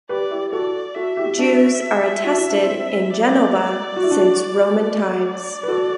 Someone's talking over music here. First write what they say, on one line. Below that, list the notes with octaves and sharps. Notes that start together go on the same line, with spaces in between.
Jews are attested in Genova since Roman times.
G4 B4 D5
E4 G4
F#4 A4 D5
F#4 A4 E5
E4 G4
D4 F#4
F#4
E4
D4
C4 E4
D5
F#4
E4
D4 F#4
D5
B4
F#4 A4